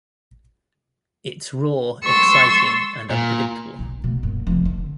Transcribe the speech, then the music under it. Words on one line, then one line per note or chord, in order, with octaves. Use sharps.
It's raw, exciting and unpredictable.
C6 C#6 E6 A6
A#2
B1
B2 A3
F#2 A#2
F1 F3
D3